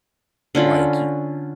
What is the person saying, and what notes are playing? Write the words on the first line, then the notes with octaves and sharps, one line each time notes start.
like y
D3 C#4 F4 B5